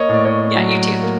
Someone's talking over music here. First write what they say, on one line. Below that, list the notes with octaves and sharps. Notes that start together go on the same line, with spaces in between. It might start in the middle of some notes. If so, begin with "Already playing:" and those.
Yeah, you too.
Already playing: A#3 C#5 D#5
A2 D5
C#5 D#5
F#3
A#3